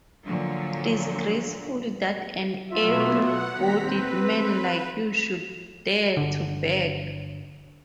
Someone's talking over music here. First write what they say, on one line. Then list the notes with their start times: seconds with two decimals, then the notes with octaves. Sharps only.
Disgraceful that an able-bodied man like you should dare to beg.
0.24 A#2 D3 F3 F#3
2.71 B2 F#3 B3 F4 E5
3.17 F#5
3.53 D#2 A#5 B6
3.82 C4 B4
6.17 G1 D3